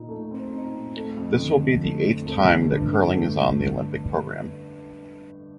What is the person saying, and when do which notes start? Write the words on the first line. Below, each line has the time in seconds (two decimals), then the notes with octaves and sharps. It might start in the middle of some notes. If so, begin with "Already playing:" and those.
This will be the eighth time that curling is on the Olympic program.
Already playing: A#2 D#4
0.09 A3
0.31 C4
0.53 D#4
0.74 A#2
0.97 A3
1.17 F2
1.39 D3
1.62 F3
1.83 A3
2.05 F2
2.26 A3
2.48 G1
2.70 G2
2.92 D3
3.13 A3